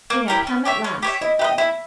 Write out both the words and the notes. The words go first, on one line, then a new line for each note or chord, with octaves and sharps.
It had come at last.
A#3
E4 G4 A#4
C#4
G4 C#5 E5
C#4
G4 C#5 E5
E4 D#5
G4 B4 E5
D#5
G5
E4 E5